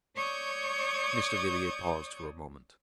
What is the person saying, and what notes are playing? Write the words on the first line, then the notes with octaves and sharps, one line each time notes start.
Mr. Villiers paused for a moment.
C#5 D5 C#6 D#6 G6 G#6